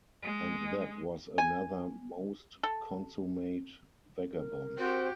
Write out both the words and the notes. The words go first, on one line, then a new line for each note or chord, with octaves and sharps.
And that was another most consummate vagabond!
G#3
G#5
A4
A#4
C4 F#4 G4 C5 G5